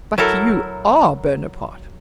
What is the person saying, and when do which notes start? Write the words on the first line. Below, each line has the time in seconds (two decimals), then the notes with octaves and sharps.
But you are Bonaparte.
0.18 F#3 E4 A4 A#4